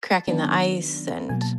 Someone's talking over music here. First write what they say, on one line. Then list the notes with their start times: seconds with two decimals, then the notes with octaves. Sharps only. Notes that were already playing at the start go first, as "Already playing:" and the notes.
cracking the ice and
0.11 A5
0.28 D#3 F#3 B3 D4
1.29 B2 F#3 A#3 G#5
1.41 A5